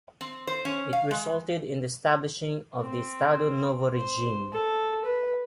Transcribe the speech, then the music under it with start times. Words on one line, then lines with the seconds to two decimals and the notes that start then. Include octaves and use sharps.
It resulted in the establishing of the Estado Novo regime.
0.21 C4
0.47 C5
0.65 C#4
0.93 F5
1.11 G#3
2.81 C4
3.94 C5
4.53 A4
5.05 B4